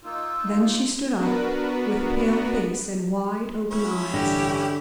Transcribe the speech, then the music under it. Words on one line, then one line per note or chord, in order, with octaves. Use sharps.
Then she stood up, with pale face and wide-open eyes.
A#3 D#4 F4 E6
B3 D4 F#4 A#4 B4
C#4 E4 C#5
A1 G2 D3 G4 A#6